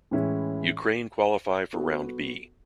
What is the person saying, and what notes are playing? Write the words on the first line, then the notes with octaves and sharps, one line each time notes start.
Ukraine qualify for Round B.
A2 E3 G#3 C#4 E4
B3 F#4 A4